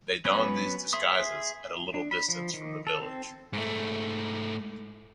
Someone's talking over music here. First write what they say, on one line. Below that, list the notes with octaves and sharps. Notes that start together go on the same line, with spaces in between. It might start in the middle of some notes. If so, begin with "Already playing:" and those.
They don these disguises at a little distance from the village.
F#3 B3 C#4 B4
G#4 E5 C6 D#6
D4
B5
F3
D#3
A4
C4
G#2 A3